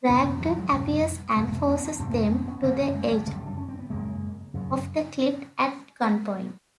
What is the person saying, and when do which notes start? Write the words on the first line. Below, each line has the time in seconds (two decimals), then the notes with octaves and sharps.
Bragdon appears and forces them to the edge of the cliff at gunpoint.
0.09 F2 C3 C4 D4
0.25 B3 C#4
0.41 F3 G3
0.58 F#3 G#3
0.72 F2 C3 G3 A3
1.37 F2 C3 G#3 A#3
1.52 A3 B3
1.68 B3 C#4
1.84 C4 D4
1.99 F2 C3 C4 D4
2.15 C4 D4
2.31 B3 C#4
2.48 B3 C#4
2.63 F#2 C#3 A#3 C4
2.79 A3 B3
2.95 G#3 A#3
3.11 G3 A3
3.27 F#2 C#3 G3 A3
3.46 D4
3.58 C#4
3.69 C4
3.79 B3
3.90 F#2 C#3 G#3 A#3
4.54 F#2 C#3